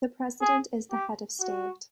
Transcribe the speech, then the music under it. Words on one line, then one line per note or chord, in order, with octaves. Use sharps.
The President is the head of state.
G#4
G4
F#4